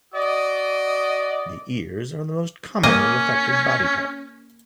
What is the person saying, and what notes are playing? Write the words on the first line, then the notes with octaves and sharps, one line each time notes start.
The ears are the most commonly affected body part.
F#4 D5 D#5 D#6
A#3 C#4 D#5